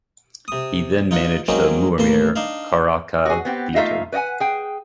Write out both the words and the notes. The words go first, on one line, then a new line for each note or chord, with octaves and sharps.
He then managed the Muammer Karaca theatre.
C3 D#6
D#4 F4 F#5
F#3 G#3 A#3 C4 C#4 D#4
A1 A#3 A4 C6
D4 D#4 F5
F#4 G#4
B3 C4 G4
A3 A#3 D#4 F4 E5 F5
B4 D5 D#5 F#5 G#5
G#4 G5